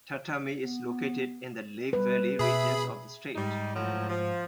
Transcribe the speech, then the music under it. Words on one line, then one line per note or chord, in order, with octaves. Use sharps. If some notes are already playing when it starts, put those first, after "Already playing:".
Tatamy is located in the Lehigh Valley region of the state.
B3
G3 B4
B2 G#4 E5 B5
G#2 G3 D#4
A2 F3 F#3
F3